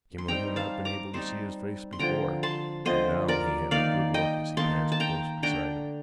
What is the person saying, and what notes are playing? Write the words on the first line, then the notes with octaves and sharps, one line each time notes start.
Gimblet had not been able to see his face before, but now he had a good look as he passed close beside him.
C6
G3 C4 D#4 G5 A#5
F5 A5
A#5 D6
G3 C4 D#4 A5 C6
C6
D3 F3 C4 G5 A#5
A5 C6
D3 F3 C4 C5 D#5
A#4 D5
D#3 A#3 D#4 D5 F5
D#5 G5
D#3 A#3 D#4 A5 C6
A5
G5 A#5
D3 A3 D4 G5 A#5